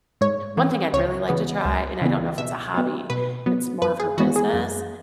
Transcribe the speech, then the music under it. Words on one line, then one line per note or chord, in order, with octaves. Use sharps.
One thing I'd really like to try, and I don't know if it's a hobby, it's more of her business,
G#2 C#5
E3 B3
C#2 C#5
C#3 E3 B3
C#2
C#3 E3 B3
B2 E5
F#3 B3
B2 B4
F#3 B3
F#2 B4
G#4
E3 G#3 B3 F#4
G#4
F#2